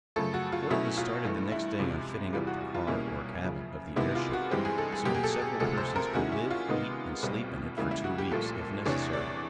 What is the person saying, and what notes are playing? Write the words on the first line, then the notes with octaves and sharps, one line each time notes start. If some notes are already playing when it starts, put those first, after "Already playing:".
Work was started the next day on fitting up the car, or cabin, of the airship, so that several persons could live, eat and sleep in it for two weeks, if necessary.
F#2 C#3 F3 A3 A4
F#4
F4
B2 F#3 A3 C#4 E4
F4
G2 E3 A3
E4
C#2 C3 F3 G#3
E2 C3 E3 G3 F4
F#4
F#4
F4
C2 B2 G3 A#3 C#4 E4
F#2 C#3 F3
C3 D#3 G#3 B3 E4
F4
F#4
G2 E3 G#3 C4 G4
G#4
A4
G#4
B2 F#3 A#3 G4
G#4
A4
G#4
D2 C3 F3 G#3 A4
C5
A#4
C3 D#3 G#3 C#4 E4 F#4
E4
F4
C3 D#3 G#3 B3 D#4
C2 B2 G3 C4
C#2 C#3 E3 G3 A#3 E4
E4
F#4
G4
C2 A#2 F3 A3 A4
E2 C3 E3 A3 D4 C#5
D5